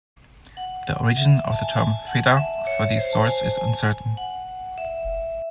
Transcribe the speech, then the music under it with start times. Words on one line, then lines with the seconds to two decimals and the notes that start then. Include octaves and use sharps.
The origin of the term "Feder" for these swords is uncertain.
0.57 F#5
1.17 E5
1.52 A5
1.62 G#5
1.72 A5
1.77 G#5
2.07 F#5
2.37 E5
2.67 C#5
2.97 C5
3.13 A5
3.27 G#5
3.57 G#5
4.17 F#5
4.78 E5